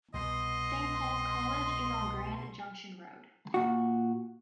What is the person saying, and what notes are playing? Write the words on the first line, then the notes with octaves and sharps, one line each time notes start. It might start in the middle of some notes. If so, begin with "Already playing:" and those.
Saint Pauls College is on Grand Junction Road.
C2 B2 D#5 C6
A#2 F#4